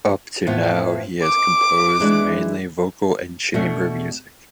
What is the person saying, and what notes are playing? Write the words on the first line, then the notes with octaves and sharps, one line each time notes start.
Up to now he has composed mainly vocal and chamber music.
A2 F3 B3 F4
D6
E3 G#3 D4
B2 A3 D4